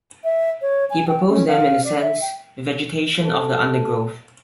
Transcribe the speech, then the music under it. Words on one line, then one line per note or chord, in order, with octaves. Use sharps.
He proposed them in the sense "Vegetation of the undergrowth".
E5
C#5
G#5
G5
C#4
F5
D5
E5
G5
A4